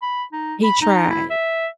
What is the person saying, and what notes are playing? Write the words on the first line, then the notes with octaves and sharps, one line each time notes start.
He tried,
B5
D#4
B5
D#4
E4
E5